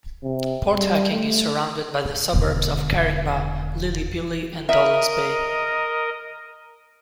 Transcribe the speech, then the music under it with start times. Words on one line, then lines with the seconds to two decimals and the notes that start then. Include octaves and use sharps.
Port Hacking is surrounded by the suburbs of Caringbah, Lilli Pilli and Dolans Bay.
0.23 C3
0.74 G3
1.11 A3
2.34 E1 D3
4.69 A#4 D#5 E5